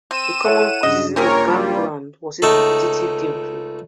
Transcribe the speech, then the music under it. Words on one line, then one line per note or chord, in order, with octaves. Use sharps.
A common criticism of Gangland was its repetitive gameplay.
C4 D#7 E7
E4 A4 C#5 F#5
G2 C#3 D#5
A#3 C4 F4 G4 G#4 A#4 C#5
G3
C#2 A3 D#4 A4